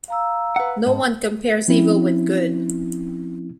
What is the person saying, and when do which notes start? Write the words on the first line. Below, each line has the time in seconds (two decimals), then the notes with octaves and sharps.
No one compares evil with good.
0.08 F5 A#5 E6
0.56 B4 F#5
0.86 G#2 C4 A5
1.68 F3 C4 C#4 E4